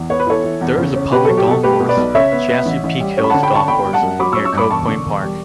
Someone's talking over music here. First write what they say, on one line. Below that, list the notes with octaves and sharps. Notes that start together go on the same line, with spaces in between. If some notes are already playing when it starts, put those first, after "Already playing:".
There is a public golf course, Chesapeake Hills Golf Course, near Cove Point Park.
Already playing: E2
B3 C#5
B4
E3 A4 C#5
E3
E2
C#3
C#4
B2 G4 B4
F#3 A4
G4
B2 A4
A3 G4 B4
B2
B4 D5
B1
C#3 C#5 E5
B3
B3
A1
A1
G3
C#4
B5
D3 F#5 A5
G5 B5
C#4 A5 C#6
G1 G5 B5
G3
F#5 A5
F#2
F#3 B5 D6
C#6 E6
C#4
C#6 E6
G2 B5 D6
E1 A5 C#6
D3
E1
G3